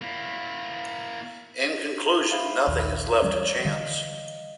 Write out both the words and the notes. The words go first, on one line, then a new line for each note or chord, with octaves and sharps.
In conclusion, nothing is left to chance.
A#3 E4
E5 F5 B5
A#1 D#2
E3 G3 C#4 C#5 D5
D3 E3 G3 D#5 F5